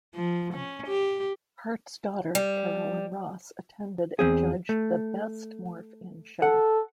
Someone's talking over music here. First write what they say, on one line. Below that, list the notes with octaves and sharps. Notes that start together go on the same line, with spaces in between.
Hart's daughter, Carolyn Ross, attended and judged the "Best Morph in Show".
F3
C#4
G4
G3
E2 C4 G#4
A3
A4 F#5